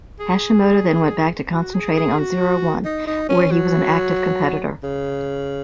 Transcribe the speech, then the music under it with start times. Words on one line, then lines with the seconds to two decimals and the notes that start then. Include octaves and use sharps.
Hashimoto then went back to concentrating on Zero-One, where he was an active competitor.
0.20 G#4
1.52 F#4
1.74 G#4
1.97 G#4
2.19 F#4
2.85 D#4
3.07 D#4
3.29 C#4
3.51 F#3
4.83 C#3